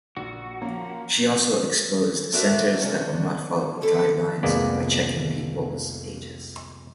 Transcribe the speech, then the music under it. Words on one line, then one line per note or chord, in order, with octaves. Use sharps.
She also exposed centres that were not following guidelines by checking peoples ages.
A#1 F#4
F3 A#3 C#4
A3 C4 D4 F#4 A#4 E5
C3 C#4 D4
D3 B3 A4
C2 F2 G#3 A#3 B3 D5